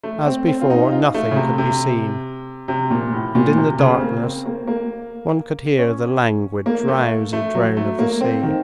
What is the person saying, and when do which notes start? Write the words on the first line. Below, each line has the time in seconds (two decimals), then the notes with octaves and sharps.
As before, nothing could be seen, and in the darkness one could hear the languid, drowsy drone of the sea.
0.03 A3
0.26 C4
0.48 C4
0.61 F4
0.70 D#4
0.92 F4
1.14 A3
1.31 C#3
1.36 C3
1.58 C3
2.68 C3
2.91 A#2
3.13 A2
3.35 A#2
3.57 C3
3.79 C#3
3.94 C4
4.01 A#3
4.23 C4
4.46 A#3
4.67 A#3
5.78 C#4
6.66 A#3
6.88 A3
7.33 A3
7.55 F#3
7.77 A3
7.99 A#3
8.21 C4
8.43 D#3